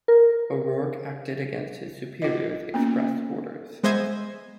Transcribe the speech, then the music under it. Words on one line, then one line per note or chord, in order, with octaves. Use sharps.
O'Rourke acted against his superiors' express orders.
A#4
F4 D#5
A#3 B3 C#4
G#3 B3 C5 D#5 E5 G#5